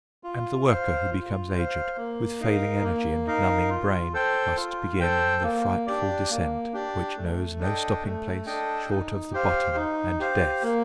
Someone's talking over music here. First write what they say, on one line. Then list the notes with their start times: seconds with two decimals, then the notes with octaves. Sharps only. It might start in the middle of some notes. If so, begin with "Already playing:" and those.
And the worker who becomes aged, with failing energy and numbing brain, must begin the frightful descent which knows no stopping-place short of the bottom and death.
0.24 F4
0.67 C5 F5
1.10 F4
1.54 C5 F5
1.97 A#3
2.40 D#4 A#4 F5
2.83 A#3
3.27 D#4 A#4 F5
3.70 F4
4.14 A4 C5 G5
4.56 F4
5.00 A4 C5 G5
5.43 A#3
5.86 D4 G4 D5
6.30 A#3
6.73 D4 G4 D5
7.17 A3
7.59 D4 A4 D#5 G5
8.03 A3
8.46 D4 A4 D#5 G5
8.90 D#4
9.33 G4 C5 F5
9.76 D#4
10.20 G4 C5 F5
10.63 A#3